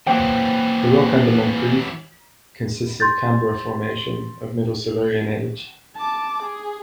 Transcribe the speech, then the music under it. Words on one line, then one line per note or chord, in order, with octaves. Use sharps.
The rock under Moncrieff consists of Canberra Formation of middle Silurian age.
E3 F#3 A#3 C5 G5
C6 G6 A6
A5 D6
G#4